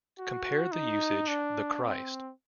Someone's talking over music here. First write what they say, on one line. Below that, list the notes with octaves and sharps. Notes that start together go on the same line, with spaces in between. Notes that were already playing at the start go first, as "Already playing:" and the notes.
Compare the usage "the Christ".
F#4
D#4
D4
C4